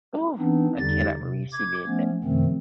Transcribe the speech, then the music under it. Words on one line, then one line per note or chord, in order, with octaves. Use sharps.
ooh, I cannot believe she did that.
E3 B3 C4 D4 D#4
E2 D3 G3 D#4 G4 A6
C3
D6 G#6
F3 A3 B3 C#4
F#2 C3 D#3 F3 A3 C4